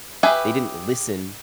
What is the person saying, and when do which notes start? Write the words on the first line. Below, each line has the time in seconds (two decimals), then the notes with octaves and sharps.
they didn't listen
0.23 G4 G#4 B4 E5 G#5